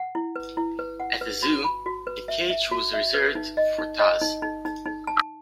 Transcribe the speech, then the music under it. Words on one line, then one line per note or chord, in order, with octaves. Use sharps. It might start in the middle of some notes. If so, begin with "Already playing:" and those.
At a zoo, a cage was reserved for Taz.
Already playing: F#5
E4
B4
E4
B4
F#5
B4
F#4
B5
F#4
B4
E5
E5
F#4
E5
B4
D#4
D#5
D#4
D#5
D#4
D#4
D#4
D#4
A5